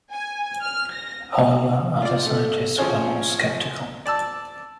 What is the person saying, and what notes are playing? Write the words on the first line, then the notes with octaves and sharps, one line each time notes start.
However, other scientists were more skeptical.
G#5
F6
A#6
F4 D5
A3
F3 C4 C#4 G#4 C#5
D5 A5 E6